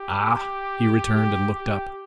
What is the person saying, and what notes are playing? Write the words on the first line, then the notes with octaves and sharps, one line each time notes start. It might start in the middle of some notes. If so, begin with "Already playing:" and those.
"Ah!" he returned, and looked up.
Already playing: G4
G4
G4